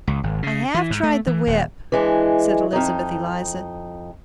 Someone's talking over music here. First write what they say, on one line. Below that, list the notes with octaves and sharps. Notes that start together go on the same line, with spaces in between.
"I have tried the whip," said Elizabeth Eliza.
C#2
G#1
C#3
E3
G#2
A3
E3
D#1
E3 G#3 D4
F2 D#4